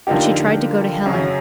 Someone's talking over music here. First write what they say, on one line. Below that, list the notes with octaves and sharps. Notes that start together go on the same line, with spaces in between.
But she tried to go to Helen.
D3 F3 A#3 D#4 G4
F#2 C#3 F#3